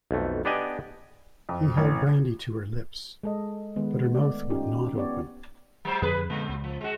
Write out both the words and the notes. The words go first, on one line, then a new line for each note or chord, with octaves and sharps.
He held brandy to her lips, but her mouth would not open.
B1 F2 A3
B3 D4 G4 D5 D#5 G#5
F2
A1
G#3 A4 D#5
D#3 G#3 B3 B4
A3 D5
C#4 D#4 F4 G4
B3 G4 C#5 D5
F#3 C5
F2 D3 G#4 B4
A#2 D3 G#3
C#2
F3
G#3 F#4